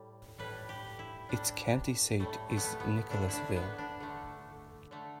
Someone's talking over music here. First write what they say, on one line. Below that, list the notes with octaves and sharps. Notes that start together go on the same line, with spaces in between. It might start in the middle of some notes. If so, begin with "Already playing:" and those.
Its county seat is Nicholasville.
Already playing: A2 G3
A2 G3 B4
G4
E4
A2 G3 D4
A2 G3 A3
A3
B3
A3
B3
D3 A3 D4
D4 E4
B3
D4
D3 A3
D3 A3